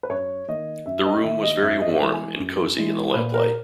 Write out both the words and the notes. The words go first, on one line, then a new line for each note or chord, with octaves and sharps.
The room was very warm and cosy in the lamplight.
B4
F#2 C#5
D#3 A#3 D#5
F#2 E5
D#5
D#3 A#3 E5
D#5
F#2 E5
D#5
E5
E3 G#3
G#5
F#2
E3 G#3
A#2 B4
A#4